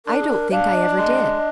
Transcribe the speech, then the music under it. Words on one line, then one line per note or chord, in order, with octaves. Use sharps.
"I don't think I ever did."
D4 A#4
G#4
A#4
D4 F5
D#5
G#3 D#5